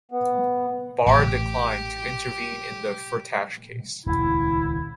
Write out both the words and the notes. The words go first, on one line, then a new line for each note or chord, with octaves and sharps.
Barr declined to intervene in the Firtash case.
B3
A1 G4
D#1 C#2 E4